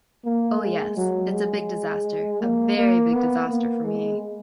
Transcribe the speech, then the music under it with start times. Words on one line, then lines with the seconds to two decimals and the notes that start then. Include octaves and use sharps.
Oh yes. It is a big disaster, a very big disaster for me!
0.25 A#3
0.61 G#3
0.97 F#3
1.32 G#3
2.41 A#3
2.77 A#3
3.13 B3
3.49 A#3
3.85 G#3